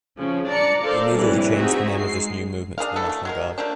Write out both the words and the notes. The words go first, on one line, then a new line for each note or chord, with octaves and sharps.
He immediately changed the name of this new movement to the National Guard.
C#3 F3 C#4
D4 D5 A#5 C#7
A4 A#4 C5 D5 F5
A#1 A2 C3 E3 G3
C4 D#4 F#4 G#4 E5
G#3 C7
D4 G#4 A#4 F5
E3 F#3 A3 A4
A3
F#3 G#3 A#4
F3 A3 A#3 D4